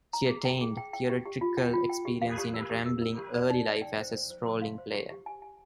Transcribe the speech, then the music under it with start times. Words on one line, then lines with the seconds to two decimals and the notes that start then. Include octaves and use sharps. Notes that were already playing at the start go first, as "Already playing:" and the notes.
She attained theatrical experience in a rambling early life as a strolling player.
0.13 A#5
0.29 G#4
0.45 G5
0.61 G#4
0.77 G5
0.93 G5
1.09 G4
1.25 G4
1.41 F4
1.57 G5
1.73 F4
1.89 G5
2.05 G4
2.22 F5
2.38 G4
2.54 A#4
2.70 G4
2.86 A#4
3.01 A#4
3.18 G4
3.34 D5
3.50 D#4
3.66 D5
3.82 G5
3.98 C5
4.14 C5
4.30 C5
4.46 C6
4.62 F5
4.78 C5
4.94 G4
5.10 G4
5.26 G#5
5.42 G#5